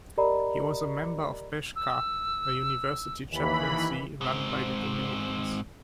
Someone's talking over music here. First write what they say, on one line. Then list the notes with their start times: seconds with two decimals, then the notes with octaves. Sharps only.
He was a member of Beczka, a university chaplaincy run by the Dominicans.
0.17 G4 A#4 D5 D#5 A#5 B5
1.76 E6
3.30 D#2 E3 B5
4.21 G#2 C4